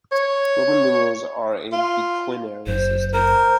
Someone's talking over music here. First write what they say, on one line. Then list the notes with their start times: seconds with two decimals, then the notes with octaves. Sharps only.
Roman numerals are a biquinary system.
0.12 C#5
1.73 F4
2.67 F#1 F#2 C5
3.13 A#4 C5